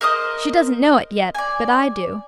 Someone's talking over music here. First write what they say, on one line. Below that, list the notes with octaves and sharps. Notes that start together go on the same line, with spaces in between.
She doesn't know it yet; but I do.
A#4 C5 D#5 D#6
D5 G#5